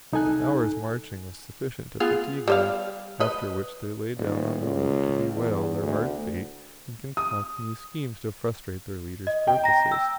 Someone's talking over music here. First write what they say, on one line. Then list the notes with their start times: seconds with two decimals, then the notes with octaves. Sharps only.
An hour's marching was sufficient to fatigue them, after which they lay down on the road to bewail their hard fate, and concoct new schemes to frustrate their leader's purposes.
0.12 C2 D#4 A4 G#5 F#6
2.00 B3 F4 G#4
2.48 G3 C5 F5
3.20 B4 D#5
4.18 D#1
4.61 C#2
5.36 E2
5.82 D2
7.17 D#6
9.27 D#5
9.47 G5
9.64 A#5 A#6
9.92 E6